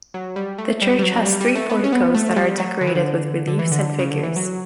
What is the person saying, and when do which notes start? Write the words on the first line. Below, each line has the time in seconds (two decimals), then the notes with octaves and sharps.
The church has three porticos that are decorated with reliefs and figures.
0.14 F#3
0.36 G3
0.58 A3
0.82 G3
0.99 G3
1.03 F#3
1.25 G3
1.41 G3
1.55 A3
1.70 B3
1.84 C#4
1.92 B3
2.14 A3
2.36 G3
2.58 F#3
2.81 D3
2.87 E3
2.95 D3
3.48 D3
3.59 E3
3.72 D3
3.99 C#3
4.11 D3
4.23 E3
4.36 F#3